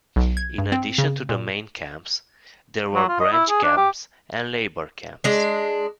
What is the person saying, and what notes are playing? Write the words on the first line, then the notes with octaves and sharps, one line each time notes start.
In addition to the main camps there were branch camps and labour camps.
B1
G#6
G2
C4
C#3
A#2
F#3
F4
D#5
E4
G#4
D4
G4
G#3 D4